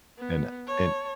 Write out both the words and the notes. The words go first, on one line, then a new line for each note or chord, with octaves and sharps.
And and
B3
C#5 A5